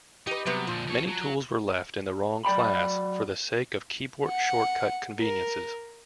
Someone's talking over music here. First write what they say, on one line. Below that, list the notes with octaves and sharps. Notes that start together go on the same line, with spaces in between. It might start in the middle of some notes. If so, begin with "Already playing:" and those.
Many tools were left in the wrong class for the sake of keyboard-shortcut conveniences.
D#4 G4 B4
C3 F#3 G3 B3
A#2 D3 F3
C#2 C#5
F#3
F#3 D5 G5 B5
F#5
A#4